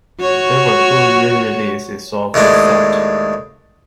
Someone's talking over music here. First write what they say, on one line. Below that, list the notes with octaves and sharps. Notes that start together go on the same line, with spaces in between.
There were two rereleases of this set.
F#4 C#5
D#2 A2 G#3 D4